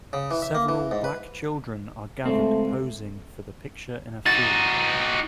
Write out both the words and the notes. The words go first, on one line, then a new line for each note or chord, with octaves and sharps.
Several black children are gathered posing for the picture in a field.
C#3
E3
E5
A#3
E3
G#2
B4
C#2 A3 C4
D#4 F#4 A6